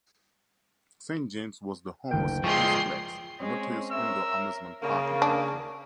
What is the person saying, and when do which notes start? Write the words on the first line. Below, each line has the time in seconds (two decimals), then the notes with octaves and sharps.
Saint James was the home of Spaceplex, a notorious indoor amusement park and arcade.
2.11 F#1 D2 A#3 G5
2.44 F3 G#3 G#4 C6 C#6
3.40 G#3 C4 C#4
3.92 A#4 C#5 E5 E6
4.81 C#3 A#3
5.22 D4